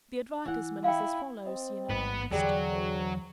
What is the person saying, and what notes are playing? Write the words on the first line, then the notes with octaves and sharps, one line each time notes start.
"The advertisement is as follows," he announced.
E3 F#5
E4 F5 G5
C4 D#5
A1 G#2 B3 B4
E2 D3 E3 F#3 G3 G#4 D5 G5
D2